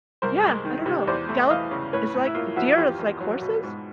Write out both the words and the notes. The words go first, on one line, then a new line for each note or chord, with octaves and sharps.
Yeah, I don't know. Gallop is like deer is like horses.
C2 A#4 C5
G#3
D#3
C3
E2 C5 D5
A3
E3 D#5 F5
C#3
A2 B4 C#5
A2
E4
A#3 F4
F3 E4 F#4
E2 F4 G4
E2
F#3
B2
G#2